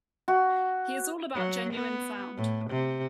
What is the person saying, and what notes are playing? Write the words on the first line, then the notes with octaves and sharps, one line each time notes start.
He is all about genuine sound.
F#4
F#3
B3
A2
C3